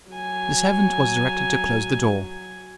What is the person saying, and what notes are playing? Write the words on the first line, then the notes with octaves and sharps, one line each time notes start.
The servant was directed to close the door.
F#3 G#5